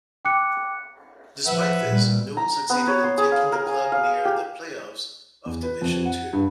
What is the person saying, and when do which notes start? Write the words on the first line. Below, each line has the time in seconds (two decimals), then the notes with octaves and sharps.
Despite this, Newell succeeded in taking the club near the play-offs of Division Two.
0.25 G5 D6 F#6 C#7
1.46 F3 B4 E5 F#5
1.87 A#2 G3
2.37 A#5
2.70 B3
2.87 C#5
3.04 C6
3.18 G#4
3.32 F5
3.52 A#4
3.66 G#5
3.92 F5
4.25 G4
5.46 E2
5.63 B4
5.82 F2
6.05 F#5
6.33 G2